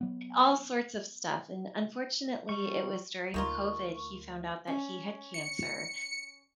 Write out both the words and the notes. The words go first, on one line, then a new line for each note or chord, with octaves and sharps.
all sorts of stuff, and unfortunately, it was during COVID he found out that he had cancer,
F#3 B3
G3 C#6
D2 D#3 A#3 F4 C#6
C#4
C#7